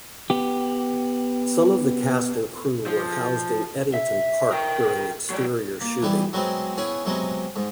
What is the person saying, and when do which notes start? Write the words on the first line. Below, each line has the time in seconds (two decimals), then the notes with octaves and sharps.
Some of the cast and crew were housed in Ettington Park during exterior shooting.
0.30 B3 G4
2.86 F3
3.94 E5
4.51 A#4 G5
5.30 F#3 D5
5.81 A#3
6.02 E3 G3 B3 E4
6.33 F#3 G#3 B3 C4
6.77 B3 C#4 E4 G#4
7.05 C3 F#3 G#3 B3
7.56 G#2